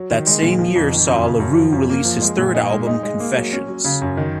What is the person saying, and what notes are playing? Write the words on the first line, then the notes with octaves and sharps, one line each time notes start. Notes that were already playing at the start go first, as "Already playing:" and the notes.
That same year saw LaRue release his third album "Confessions".
Already playing: F#3
D#3
G#3
A#2
F3
F2
D#3
F#2
C#3
F#2
F3
F#2
A#3
F3
G#3
A#2
D#4
G#3
D#4
G#3
A#3
F#3
C#4
F#3
C#3
F#2
D#3